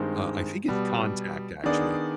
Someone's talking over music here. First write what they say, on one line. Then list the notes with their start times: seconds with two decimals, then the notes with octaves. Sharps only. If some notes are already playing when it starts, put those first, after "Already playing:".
Uh, I think it's Contact actually,
Already playing: G2 D#3 G#3 C4
0.68 B2 G3 B3
1.64 D#3 B3 D4 G#4 D5